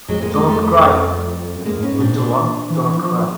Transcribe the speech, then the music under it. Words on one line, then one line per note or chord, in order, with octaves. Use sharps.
Do not cry little one do not cry.
F2 F#3 G#3
G#3 A#3
G#3 A#3
G3 A3
G3 A3
F#2
F2 G#3 A#3
G#2 B3 C#4
G#2
A#2 C4 D4
A#2 C4 D4
E3
F3